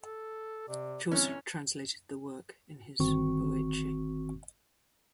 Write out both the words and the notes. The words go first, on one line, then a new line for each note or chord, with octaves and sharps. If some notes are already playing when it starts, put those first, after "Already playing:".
Chaucer translated the work in his "Boece".
A4
C3 D5
G1 D3 E3 C4 C#4 C#5
G1 D#3 C4 F#4 C#6